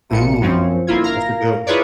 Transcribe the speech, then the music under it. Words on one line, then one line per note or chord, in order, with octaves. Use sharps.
Mm. That's a good one.
A#1 A#2 C#7
F#2 F3 C4 C#4
G1 A#3 E4 F4 G#6
A#4 F5 A#5
E4 F4 G#4 B4 C#5 D5